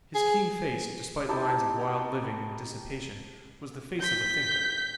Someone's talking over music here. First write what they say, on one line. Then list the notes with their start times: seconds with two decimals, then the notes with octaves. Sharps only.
His keen face, despite lines of wild living and dissipation, was the face of a thinker.
0.15 G#4
1.28 D#4 E4 G4 A5
4.00 G6 B6